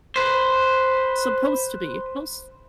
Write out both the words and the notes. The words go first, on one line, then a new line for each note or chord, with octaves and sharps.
supposed to be most
B4 C5